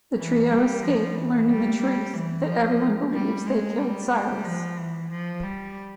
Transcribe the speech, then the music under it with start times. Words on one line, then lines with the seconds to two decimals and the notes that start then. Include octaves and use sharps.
The trio escape, learning the truth-that everyone believes they killed Cyrus.
0.17 E3
0.50 G3
0.83 F3
1.16 E3
1.49 G3
1.82 G3
2.14 E3
2.47 F3
3.13 G3
3.46 G#3
3.79 G3
4.12 G3
4.44 F3
4.78 E3
5.10 F3
5.43 G3